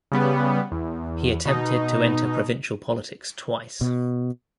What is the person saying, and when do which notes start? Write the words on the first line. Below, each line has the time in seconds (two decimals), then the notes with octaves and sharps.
He attempted to enter provincial politics twice.
0.12 C#3 G3 B3
0.72 E2
1.46 B2 D#4
3.81 B2